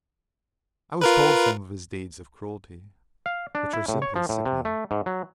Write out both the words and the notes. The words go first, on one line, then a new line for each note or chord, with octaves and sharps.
I was told some of his deeds of cruelty, which are simply sickening.
F4 A#4 B4
F5
D4
E4
A2
C#5
F3
A2
C3
A3
G#2
F#3